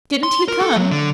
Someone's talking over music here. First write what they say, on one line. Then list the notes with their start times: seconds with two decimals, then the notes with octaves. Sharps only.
"Didn't he come?"
0.23 C6
0.48 A#4
0.61 A4
0.76 F#3
0.91 D3